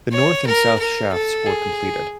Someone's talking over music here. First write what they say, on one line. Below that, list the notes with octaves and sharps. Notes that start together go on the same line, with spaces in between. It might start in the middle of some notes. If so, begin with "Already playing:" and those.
The north and south shafts were completed.
C#5
A#4
A#4
A4
G#4